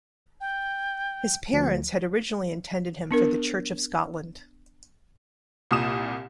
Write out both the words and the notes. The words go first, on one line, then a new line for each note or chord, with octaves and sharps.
His parents had originally intended him for the Church of Scotland.
G5
D2 F3
B3 D4 A#4
C2 A#2 D#6 E7